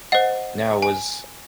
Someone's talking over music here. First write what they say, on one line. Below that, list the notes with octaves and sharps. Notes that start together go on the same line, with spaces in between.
Now was
C5 D#5 F#5
G#5